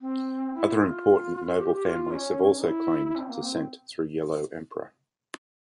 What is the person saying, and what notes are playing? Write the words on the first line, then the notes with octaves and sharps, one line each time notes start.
Other important noble families have also claimed descent through Yellow Emperor.
C4
E4
F4
G4
G4
F4
C#4
C#4
E4
C4
A#3
C4